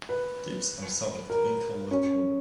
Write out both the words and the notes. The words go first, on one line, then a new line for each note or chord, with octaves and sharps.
Tips are subject to income withholding.
B4
A#4
C#4